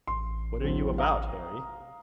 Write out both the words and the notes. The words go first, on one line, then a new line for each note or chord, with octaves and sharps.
"What are you about, Harry?"
A1 C6
D1 C4
F5 A#5 D#6